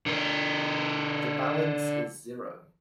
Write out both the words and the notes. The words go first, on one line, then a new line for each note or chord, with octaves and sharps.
The balance is zero.
D3 A#4